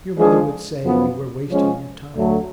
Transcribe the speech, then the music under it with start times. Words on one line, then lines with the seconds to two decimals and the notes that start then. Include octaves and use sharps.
'Your mother would say you were wasting your time.
0.16 F3 G#3 D4 G#4
0.82 F#2 F3 B3
1.49 F3 G#3 C#4
2.15 D2 D3 F#3 A3